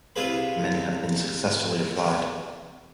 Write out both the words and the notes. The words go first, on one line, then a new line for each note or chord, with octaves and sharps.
Many have been successfully applied.
C2 E4 F4 G#4 B4 B5